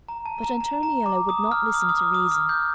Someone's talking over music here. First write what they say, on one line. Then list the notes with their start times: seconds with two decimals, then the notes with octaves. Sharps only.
But Antoniello would not listen to reason.
0.09 A#5
0.26 A5
0.43 A#5
0.60 A#5
0.83 A#5
1.06 D6
1.29 D#6
1.52 F6
1.74 D#6
1.81 F6
1.89 D#6
1.98 D6
2.14 D#6
2.31 F6
2.49 G6